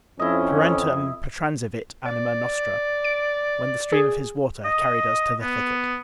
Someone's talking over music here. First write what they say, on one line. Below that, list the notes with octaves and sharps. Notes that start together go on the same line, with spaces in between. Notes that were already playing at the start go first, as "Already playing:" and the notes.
Torrentem pertransivit anima nostra; when the stream of his water carried us to the thicket.
F2 C#4 E4 D#5
D5
D7
G#4
D#5
B3